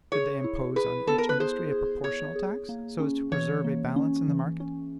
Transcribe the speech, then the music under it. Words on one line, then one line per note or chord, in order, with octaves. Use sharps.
Did they impose on each industry a proportional tax, so as to preserve a balance in the market?
G#4 C#5
E4
G#4 B4
B3 A4
A#4
B4
G#4 C5
G#4
G#4 C#5
G#4
A#3
C#4
E3 C#5
A#3
C#4
E3
C#4